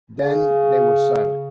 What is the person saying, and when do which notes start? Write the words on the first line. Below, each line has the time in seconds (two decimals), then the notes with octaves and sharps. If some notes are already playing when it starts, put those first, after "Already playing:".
Then they were silent.
0.17 C#3